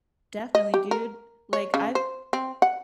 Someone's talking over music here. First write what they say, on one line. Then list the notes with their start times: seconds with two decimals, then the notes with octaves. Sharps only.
Definitely, dude. Like I've
0.55 D#5
0.74 G4
0.91 A#4
1.53 C#5
1.74 C#3
1.95 C5
2.33 C4
2.62 F#5